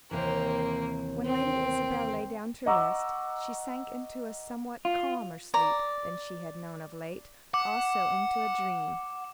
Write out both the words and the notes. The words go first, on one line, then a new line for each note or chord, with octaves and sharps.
When Lady Isabel lay down to rest, she sank into a somewhat calmer sleep than she had known of late; also into a dream.
D#2 C3 E3 A#3 C4
C4
D#5 F#5 A#5 C#6 D6 E6
F4
D5 A#5
F#5 D6